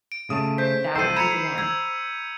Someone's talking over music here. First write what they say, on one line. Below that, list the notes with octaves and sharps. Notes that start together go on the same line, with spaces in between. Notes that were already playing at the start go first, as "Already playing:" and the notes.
that would be the one.
D7
C#3 A3 A5 D#6
C5 G6 B6
C2 A4 C5 E6 G6 D#7
A#5 B5 G#6 C#7 E7 F7
E6 G#6